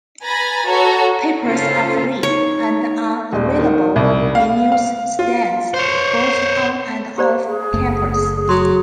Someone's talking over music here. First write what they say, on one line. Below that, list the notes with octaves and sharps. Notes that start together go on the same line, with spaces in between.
Papers are free, and are available in news-stands both on and off campus.
B4 G#5 A#5 B5 A6
F#4 A4 C#5 A#5
C#3 C#4 F4 A4 C5
D#4 C#5
D#1
D#3
C2
F5
F5
F4
C5 C#5
G4 C5 D5
G#4
F#1 F#2 A3
F#3 C6